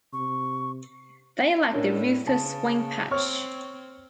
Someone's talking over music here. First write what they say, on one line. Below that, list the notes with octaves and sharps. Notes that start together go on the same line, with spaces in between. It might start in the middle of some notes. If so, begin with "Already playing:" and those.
They lack the rufous wing patch.
C3 C#6
A2 C#4 D4 A#4
C#3 A5
C4 C#5 C#6 F6